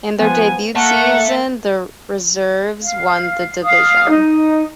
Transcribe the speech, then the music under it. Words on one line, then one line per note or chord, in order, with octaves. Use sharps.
In their debut season, the reserves won the division.
F3 B3 G#5
A#3 E5 F#5 A5
F5
F5 D#6
D#4